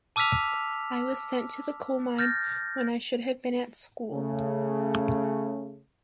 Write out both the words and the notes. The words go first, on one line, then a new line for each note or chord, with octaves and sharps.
I was sent to the coal mine when I should have been at school.
A5 D6 E6 F6 B6 F7
F6 G6 A6 A#6
C#3 A3